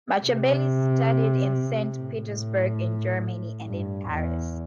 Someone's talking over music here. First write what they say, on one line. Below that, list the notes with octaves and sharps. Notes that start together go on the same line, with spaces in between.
Machabeli studied in Saint Petersburg, in Germany, and in Paris.
C3
A2
G2
E2